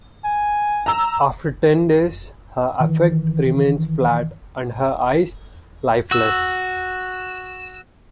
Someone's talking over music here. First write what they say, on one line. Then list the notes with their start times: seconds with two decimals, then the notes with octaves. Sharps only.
After ten days, her affect remains flat, and her eyes lifeless.
0.25 G#5
0.86 A#5 E6
2.80 D#3 E3
6.11 F#4 E6